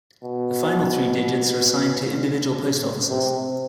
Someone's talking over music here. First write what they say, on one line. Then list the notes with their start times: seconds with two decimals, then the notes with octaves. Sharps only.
The final three digits are assigned to individual post offices.
0.23 B2
3.09 C3